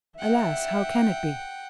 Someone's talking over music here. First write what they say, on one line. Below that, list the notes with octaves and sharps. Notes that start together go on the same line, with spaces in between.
Alas, how can it be?
E5 F#5 G5